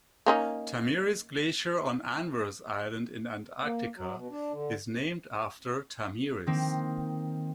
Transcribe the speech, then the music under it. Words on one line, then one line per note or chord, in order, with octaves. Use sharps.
Thamyris Glacier on Anvers Island in Antarctica is named after Thamyris.
A#3 C#4 D#4
A#3
F#3
B2
D4
D3
D#3 A#3 C4